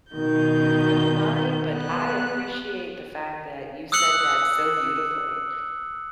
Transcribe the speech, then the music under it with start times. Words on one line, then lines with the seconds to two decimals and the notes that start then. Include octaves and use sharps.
Not mine, but I appreciate the fact that you said that so beautifully.
0.13 B2 D#3 G6
1.72 B3 F#6
3.92 D#6 E6 F#6 C#7 F#7